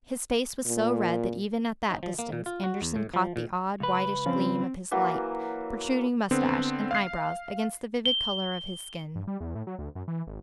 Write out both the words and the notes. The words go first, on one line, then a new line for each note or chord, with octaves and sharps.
His face was so red that even at that distance Andersen caught the odd, whitish gleam of his light protruding moustache and eyebrows against the vivid colour of his skin.
A#2
D#4
F3
A#3
A#2
F4
F#4
E2
A2
F3
A#2
C#2 B4
F3 C4 C#4 F4
E3 F#3 A#3
D3 B3 C4
F5 C7
G7
G2
G3
E2
A2
F#3
D2
F#2
E3
G#1